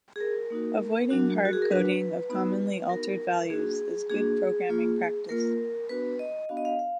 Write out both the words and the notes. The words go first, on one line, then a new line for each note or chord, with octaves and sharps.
Avoiding hard-coding of commonly altered values is good programming practice.
G#4
A#4
A#3 D#4 F#4
F#3 D4 F#4
F#4
G#4
A#4
F#3 D4 F#4 B4
B3 D#4 F#4
B3 D#4 F#4 A#4
A#3 D4 F#4 G#4
A#3 D4 F#4 G#4
A#3 F4
A#3 F4 A#4
B3 D4 F#4 B4
D#5
B3 D4 F#4 F5
D#5
F5
F5